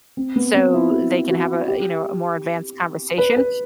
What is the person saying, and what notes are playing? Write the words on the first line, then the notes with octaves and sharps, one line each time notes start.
so they can have a, you know, a more advanced conversation,
C4
B3
C4
E4
F#4
F#4
G4
B4
B4